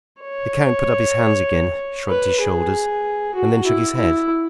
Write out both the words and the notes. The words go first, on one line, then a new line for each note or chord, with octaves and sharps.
The count put up his hands, again shrugged his shoulders, and then shook his head.
C#5
B4
G#4
F#4
E4
E4